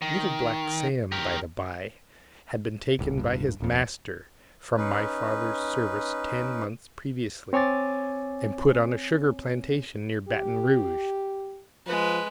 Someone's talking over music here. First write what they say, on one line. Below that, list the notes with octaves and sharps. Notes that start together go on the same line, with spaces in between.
Little Black Sam, by the by, had been taken by his master from my father's service ten months previously, and put on a sugar-plantation near Baton Rouge.
D#3
G4 A#4
D1 C2
D1 G2
D1 F2
C#4 D#4 B4
C4 C#5 G#5 D6 A6
G4
F3 G#3 B4